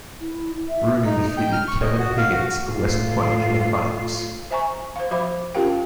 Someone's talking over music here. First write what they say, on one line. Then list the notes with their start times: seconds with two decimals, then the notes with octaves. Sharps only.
Rooney defeated Kevin Higgins of West Point in the finals.
0.21 E4
0.69 E5
1.06 D#4
1.37 G5
1.53 F6
1.68 C#6
1.83 D#5
1.99 F#4
2.18 F5
2.32 F#4
2.70 A2 F4
4.51 C5 E5 G#5 A#5 C#6
4.96 C5 F5
5.11 F3 F#4 C5 E5 B5 D6
5.54 C#4 F4 G4 A#4 F5 G5